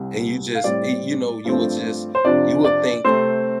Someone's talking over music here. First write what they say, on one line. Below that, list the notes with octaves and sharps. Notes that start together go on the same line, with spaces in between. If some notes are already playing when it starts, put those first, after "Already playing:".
and you just e you know, you would just you would think
Already playing: C2 C3 G3
F5
A2 G3 C4 D5
G2 F3 A3 C4
C5
F2 C3 F3 D4 D5
D5
C3 A3 C4 C5